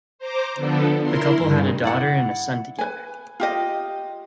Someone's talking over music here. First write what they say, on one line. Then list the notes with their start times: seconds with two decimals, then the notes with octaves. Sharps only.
The couple had a daughter and a son together.
0.19 C5 A#5 D6
0.55 D3 F3 B3 D4 A4
1.02 E4 A#4 C6
1.38 G2 C#3
1.84 E4 D5 F#5
2.78 B4 G#5
3.40 F4 G4 D#5